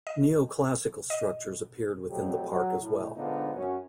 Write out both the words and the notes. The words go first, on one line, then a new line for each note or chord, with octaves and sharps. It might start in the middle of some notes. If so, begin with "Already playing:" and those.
Neoclassical structures appeared within the park as well.
D#5
D#5
F2 F#3 A3 G4
F#3
A2
G#2 D3 B3 D4 D#4 F4
F#2 C#4 F#4